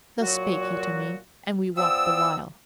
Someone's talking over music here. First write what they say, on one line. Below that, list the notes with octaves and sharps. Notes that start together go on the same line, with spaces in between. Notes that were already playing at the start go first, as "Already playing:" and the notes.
Thus spake he to me, and we walked the while.
A#2 F#3 F#4
F3 B3 D5 G5 D#6 E6